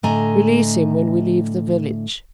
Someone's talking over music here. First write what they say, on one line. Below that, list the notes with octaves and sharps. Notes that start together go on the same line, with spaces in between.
"Release him when we leave the village."
A2 D3 A3 D#5 G#5 A#5